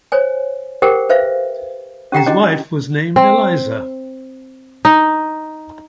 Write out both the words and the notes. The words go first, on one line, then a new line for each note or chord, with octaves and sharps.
His wife was named Eliza.
C5 C#5 G#5
G4 G#4 A#4 C5 F#5 G5
B4 C5 E5 F5
C#4 G4 F#5 G5 A#5
C#4 D4 E4 F#4 G#4 D#5
C4
D#4